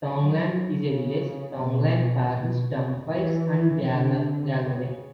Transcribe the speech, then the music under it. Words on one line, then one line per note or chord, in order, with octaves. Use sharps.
Tongland is a village in Tongland Parish, Dumfries and Galloway.
F#3
F#3
C#3
B2
B2
C#3
E3
D3
C#3